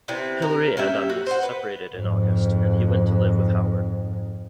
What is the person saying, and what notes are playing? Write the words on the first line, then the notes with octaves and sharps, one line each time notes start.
Hilary and Amis separated in August, and he went to live with Howard.
C3 B3 C4 E4
A#4
A#3 C#4 G4 E5
F#4
C5 F#5
B4
F2 G#2